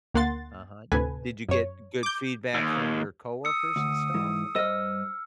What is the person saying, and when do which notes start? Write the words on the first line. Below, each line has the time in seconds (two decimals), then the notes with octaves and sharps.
Uh-huh, did you get good feedback from your coworkers and stuff or
0.14 D2 A#3 F#5 C6 A6
0.92 D2 A2 C3 A4 B4 G#5
1.49 F#2 C#5
2.03 D6 G6
2.55 D#2
3.45 D#6 E6 C#7
3.76 D2
4.14 G#2 E3
4.55 G2 C5 D#5 E6 F6